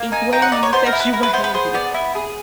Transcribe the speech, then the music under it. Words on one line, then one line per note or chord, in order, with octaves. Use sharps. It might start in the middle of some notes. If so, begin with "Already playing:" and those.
equate homosexuality?
Already playing: A#3
D#4 G#5
D#4 G5
F#5
D#4 D5
C#5
B3 C5
A#4
E4
B4
E4 A#4
B4
B3 C5
B4
G#4 C5
B3 D5
E4
G#4